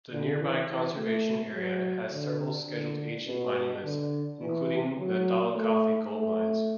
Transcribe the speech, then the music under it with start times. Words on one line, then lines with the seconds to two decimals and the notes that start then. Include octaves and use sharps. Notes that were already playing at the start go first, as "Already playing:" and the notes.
The nearby conservation area has several scheduled ancient monuments including the Dolaucothi Gold Mines.
0.10 D3
0.39 E3
0.68 E3
0.96 A3
1.54 F#3
2.11 D3
2.68 D3
3.26 B2
3.83 D3
4.40 E3
4.98 F#3
5.55 A3
6.12 A3